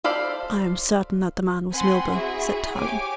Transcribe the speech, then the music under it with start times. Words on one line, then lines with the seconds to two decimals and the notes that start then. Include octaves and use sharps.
"I am certain that the man was Milburgh," said Tarling.
0.04 A4 C5 D5 F5 B5
1.73 C4 F#5 G#5 B5 C6
2.11 E4 F#4 G#4 E5 G#5
2.77 G4 C#5 G#5 D6